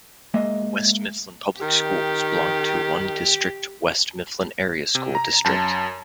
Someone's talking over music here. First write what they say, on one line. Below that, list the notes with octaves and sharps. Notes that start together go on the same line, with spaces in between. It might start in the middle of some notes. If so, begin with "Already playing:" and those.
West Mifflin public schools belong to one district-West Mifflin Area School District.
G#3 A#3 D#5 E5
D#3 G4
C3
A#5
F#2 A5